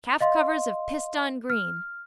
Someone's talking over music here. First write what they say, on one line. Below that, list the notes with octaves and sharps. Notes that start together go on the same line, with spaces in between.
Calf covers of pissedon green.
D#5 F5 C6
F6